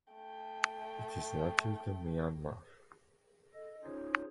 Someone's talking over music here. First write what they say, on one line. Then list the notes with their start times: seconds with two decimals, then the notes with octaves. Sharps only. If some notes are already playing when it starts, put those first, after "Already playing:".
It is native to Myanmar.
0.14 A3 G5
3.54 A4 D#5
3.84 C#4 D#4 F4 G#4 C5 C#5